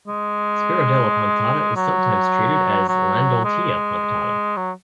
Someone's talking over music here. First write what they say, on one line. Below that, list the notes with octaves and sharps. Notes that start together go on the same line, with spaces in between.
"Spirodela punctata" is sometimes treated as "Landoltia punctata".
G#3
F#3
F#3
G#3
F#3